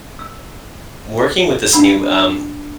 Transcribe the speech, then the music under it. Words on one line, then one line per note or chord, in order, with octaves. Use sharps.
working with this new, um,
E6
D4 F#5 B5 E6